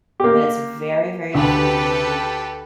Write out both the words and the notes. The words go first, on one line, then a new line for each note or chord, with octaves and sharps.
But it's very, very clean.
A#3 G4
D2 G4 A4 B4